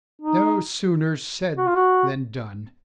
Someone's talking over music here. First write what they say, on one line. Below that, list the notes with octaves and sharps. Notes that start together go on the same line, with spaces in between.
No sooner said than done.
D#4
F#4
F4
F#4